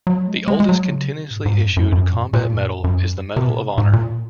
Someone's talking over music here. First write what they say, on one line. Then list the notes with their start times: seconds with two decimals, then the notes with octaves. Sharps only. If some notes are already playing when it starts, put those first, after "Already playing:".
The oldest continuously issued combat medal is the Medal of Honor.
0.07 F#3
0.28 G#3
0.48 G#3
0.60 G#3
0.69 F#3
0.90 C#3
1.09 C3
1.31 G#2
1.46 G#2
1.62 F#2
1.77 F#2
1.92 F#2
2.13 A#2
2.33 A#2
2.54 F#2
2.84 F#2
3.36 C3
3.47 A#2
3.78 G#2
3.93 A#2